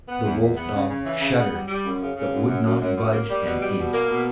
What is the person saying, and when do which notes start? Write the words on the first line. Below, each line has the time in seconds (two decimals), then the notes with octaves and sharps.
The wolf-dog shuddered but would not budge an inch.
0.08 B3
0.24 E2
0.40 E2
0.56 B3
0.73 C#3
0.88 C#3
1.05 E3
1.21 C#3
1.36 B3
1.52 G3
1.68 G3
1.84 F#2
2.01 C#3
2.17 C#3
2.32 F#2
2.48 F#2
2.64 F#2
2.80 F#2
2.96 F#2
3.13 A#3
3.29 G3
3.45 B2
3.61 G3
3.77 B2
3.93 A#3
4.08 B2